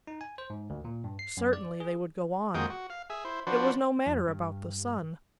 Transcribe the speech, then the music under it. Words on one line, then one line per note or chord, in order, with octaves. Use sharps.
Certainly they would go on. It was no matter about the sun.
D#4
G#5
C5
G#2
D2
A#2
G2
C7
F#2
D5
G#4
F2 G#3 A#3 F#4 G5 D#6
F#4
F5
G#4 E5
E4 C5
F3 D4 F#4 B4 C5
F2
G2